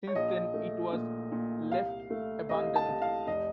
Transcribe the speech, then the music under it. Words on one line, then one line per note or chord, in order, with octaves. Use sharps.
Since then, it was left abandoned.
C#5
A#1 D#5
A3
A#2
A#2
C2 F5
A3
C2 D#5
A5
C2
F5
F1 D#5